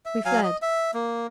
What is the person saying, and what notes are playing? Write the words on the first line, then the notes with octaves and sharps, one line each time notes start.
We fled.
E5
F#3 F5 G#5
D#5
E5
A#3